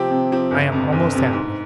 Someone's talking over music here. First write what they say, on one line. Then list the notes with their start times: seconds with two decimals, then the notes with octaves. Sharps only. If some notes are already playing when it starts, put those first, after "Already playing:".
I am almost happy.
Already playing: C3 F3 C4 G4
0.11 C3
0.32 F3 C4 G4
0.51 G1
0.72 F2 C3
0.92 G1
1.13 F2 C3
1.33 G#2